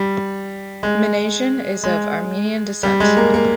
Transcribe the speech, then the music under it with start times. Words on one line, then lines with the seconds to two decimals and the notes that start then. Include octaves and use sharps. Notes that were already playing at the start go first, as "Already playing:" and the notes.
Minasian is of Armenian descent.
Already playing: G3
0.83 G#3
1.84 G#3
2.83 G3
3.00 G#3
3.17 A#3
3.34 A#3